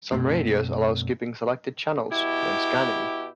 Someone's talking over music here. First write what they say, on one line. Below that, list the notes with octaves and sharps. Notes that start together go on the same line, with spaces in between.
Some radios allow skipping selected channels when scanning.
F#2 B2 A3 C4
B2 E4 G4